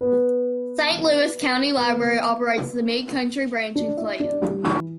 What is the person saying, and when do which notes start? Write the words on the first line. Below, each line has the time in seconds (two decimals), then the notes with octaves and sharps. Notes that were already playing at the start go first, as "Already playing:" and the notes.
Saint Louis County Library operates the Mid-County Branch in Clayton.
0.01 B3 B4
1.77 B3 B4
3.75 D4 D5
3.97 E4 E5
4.20 D4 D5
4.41 G3 G4
4.64 E3 E4